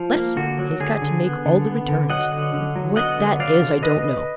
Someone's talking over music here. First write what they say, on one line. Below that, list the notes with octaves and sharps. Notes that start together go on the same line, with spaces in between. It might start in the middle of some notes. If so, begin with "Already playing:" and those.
Bless you, he has got to make all the returns; what that is, I don't know.
Already playing: F3
A#3
D3 F#4
F#3
D3 G#4
D3
B3
D3
B3
D3
F#3 D#5 F#5
D3
D3
F#3
B3 D#5 F#5
D3
F#3 D5 F5
D3
B4 D#5